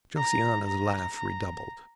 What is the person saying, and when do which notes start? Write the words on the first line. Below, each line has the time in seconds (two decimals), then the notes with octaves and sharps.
Josiana's laugh redoubled.
0.17 A#5
0.67 A#5
1.17 A#5